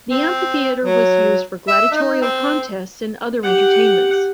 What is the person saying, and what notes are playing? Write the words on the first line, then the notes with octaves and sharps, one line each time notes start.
The amphitheater was used for gladiatorial contests and other entertainments.
C4
F#3
E5
D#4
C4
G4 F#5